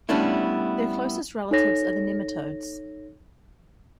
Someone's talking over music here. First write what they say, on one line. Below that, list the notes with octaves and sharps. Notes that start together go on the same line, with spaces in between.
Their closest relatives are the nematodes.
G3 A3 B3 C#4 D4 E4
D#4 A4 C#5 A#6